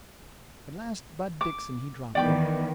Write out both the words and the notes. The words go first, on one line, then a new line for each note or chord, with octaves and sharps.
At last Bud Dixon he dropped off.
D6
D#3 E3 B3 D5 G5 D6